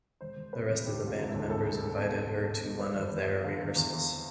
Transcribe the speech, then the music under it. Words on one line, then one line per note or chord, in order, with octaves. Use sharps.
The rest of the band members invited her to one of their rehearsals.
E1 C5
E1
C3 B4
E1
D2 G4
C3
F4
E1
D2 E4
C2 A4
C2
C2
B2
C2
B2
B2
B2
F3 B4
E2
C5
E2
E5
F3
D3 F5
E2
E2
E2